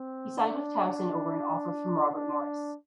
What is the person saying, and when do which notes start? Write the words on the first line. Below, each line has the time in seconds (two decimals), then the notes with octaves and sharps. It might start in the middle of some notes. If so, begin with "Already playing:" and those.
He signed with Towson over an offer from Robert Morris.
Already playing: C4
0.40 D4
2.15 D4